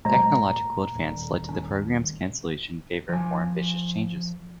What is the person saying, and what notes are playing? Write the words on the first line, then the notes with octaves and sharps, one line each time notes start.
Technological advance led to the program's cancellation in favor of more ambitious changes.
A#2 F#3 G#3 A3 C5 A#5
D#1
C#4
F3 G#5